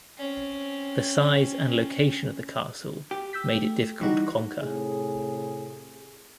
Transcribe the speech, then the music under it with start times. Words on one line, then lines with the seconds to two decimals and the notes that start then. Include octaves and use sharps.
The size and location of the castle made it difficult to conquer.
0.17 C4 C#4
3.11 G4
3.33 E6 G6 B6
3.55 A3
4.01 E3 G3 D#4 F#4
4.59 A2 C3 G#4